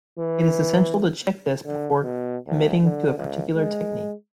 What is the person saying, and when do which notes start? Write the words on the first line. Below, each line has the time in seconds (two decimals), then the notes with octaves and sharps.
It is essential to check this before committing to a particular technique.
0.19 E3
1.66 D3
2.03 B2
2.47 D2
2.84 D3
3.18 C#2
3.56 G#3